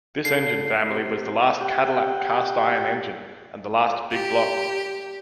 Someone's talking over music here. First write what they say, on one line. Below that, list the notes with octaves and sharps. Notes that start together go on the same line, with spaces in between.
This engine family was the last Cadillac cast-iron engine, and the last 'big-block'.
D3 C7
C3
G4 F#5 G5
G4